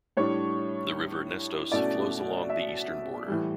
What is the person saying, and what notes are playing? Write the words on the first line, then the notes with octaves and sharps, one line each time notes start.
The river Nestos flows along the eastern border.
A2 G3 D4 C#5
B2 A3 C#4 E4 D5
E5
A2 E3 G3